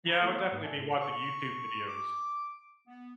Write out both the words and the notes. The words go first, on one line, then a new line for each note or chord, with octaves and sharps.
Yeah, I would definitely be watching YouTube videos.
A#5 B5 E6 G6 A6
G#3 A3 B3 E4 F4 A4
F5 F#5 C#6
G#2 A#3 B4 D#6
D5 E5 G#5 A5
A2
C#6
D6
B3